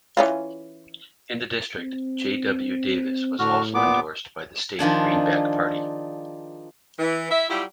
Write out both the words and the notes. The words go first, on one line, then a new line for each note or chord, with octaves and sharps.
In the District, J. W. Davis was also endorsed by the state Greenback Party.
E3 C#4 F4
C4
A2 D3 F#4 F6
A#2 B3 D6
D#3 F3 D4 G#4
E3
E4 E5
F#3 G3 E4 F4 G4